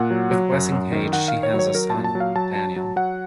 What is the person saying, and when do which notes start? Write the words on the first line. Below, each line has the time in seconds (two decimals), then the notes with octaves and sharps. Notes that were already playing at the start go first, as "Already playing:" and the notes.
With Wessinghage she has a son Daniel.
Already playing: A#2 F#5
0.10 F#3
0.31 F#3
0.52 F#2
0.72 F#2
0.92 D#3
1.13 D#3 F#5
1.28 F5
1.34 D#3
1.43 C#5
1.53 F#3
1.59 C#5
1.74 F#3 A#4
1.90 A#2 A5
2.04 A5
2.15 F#3
2.20 F5
2.35 F#3 A5
2.56 F#3
2.76 F#3
2.96 F#3 F#5